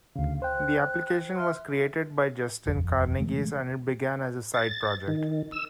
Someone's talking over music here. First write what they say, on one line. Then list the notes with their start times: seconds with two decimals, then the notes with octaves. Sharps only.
The application was created by Justin Karneges and it began as a side project.
0.16 D2 C#3 F5
0.42 C5 G5 F#6
1.37 E5 C6 F6
2.66 D#1 G#1 F2
3.19 B2 E3 G#3 A3
4.54 A6
5.08 D#3
5.52 E6